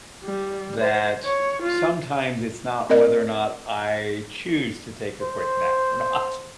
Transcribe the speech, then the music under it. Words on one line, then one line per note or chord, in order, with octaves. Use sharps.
that sometimes it's not whether or not I choose to take a quick nap or not,
G3
C5
C#5
F4
C4 A#4 D5 D#5
C5